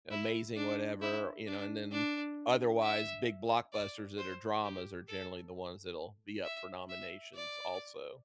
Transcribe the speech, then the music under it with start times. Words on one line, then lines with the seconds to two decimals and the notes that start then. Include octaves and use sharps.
amazing whatever, you know? And then otherwise, big blockbusters that are dramas are generally the ones that'll be up for nominations also.
0.11 E4
0.56 D4
1.01 E4
1.47 D4
1.91 D4
2.82 E5
3.73 D5
4.18 C5
4.63 G4
5.08 A4
6.44 E5
6.89 E5
7.35 D5